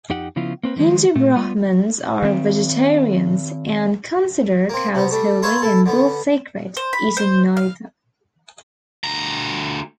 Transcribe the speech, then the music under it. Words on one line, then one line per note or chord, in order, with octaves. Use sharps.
Hindu Brahmins are vegetarians and consider cows holy and bulls sacred, eating neither.
F2 D#4 G4 F#5
C#3 F3 B3 E4 F4
A#3 C4 B4
D3 D#3 F3 F#3 G#3
A#2 A3
G3 B3 F4
D#3 C4
A#3 C4
C3 B3
G3 A3
F4 B4 C#5 E5 A#5 C6
E4 A4
D3 B3
C5
B5
C5
F5
D2 A#5